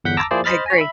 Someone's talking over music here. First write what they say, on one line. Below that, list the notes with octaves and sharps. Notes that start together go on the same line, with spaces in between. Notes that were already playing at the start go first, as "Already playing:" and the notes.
I I agree.
G1 E2 F#5 G6 B6
A5 A#5 D6 E6 A#6
F3 A#3 E4 G#4 C5 D5
C5 D#5 B5 F6 A6
C#5 G#5
E5 B5